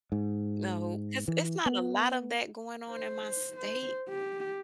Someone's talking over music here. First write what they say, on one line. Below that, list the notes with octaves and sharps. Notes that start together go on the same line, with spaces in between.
No, 'cause it's not a lot of that going on in my state.
G#2
E3
B3
C5
C5
G4